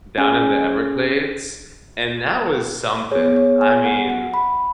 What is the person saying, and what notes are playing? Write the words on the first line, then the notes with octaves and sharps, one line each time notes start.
down in the Everglades, and that was something. I mean,
C#4 G#4 G#5
B3 G#4 C#5
C#5
G#5
F#5
F#5
B5